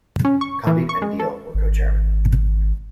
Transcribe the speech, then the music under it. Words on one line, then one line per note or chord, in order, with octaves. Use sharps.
Condit and Deal were co-chairmen.
C#4
C#6
E3
C#6
G#3
A4
G#1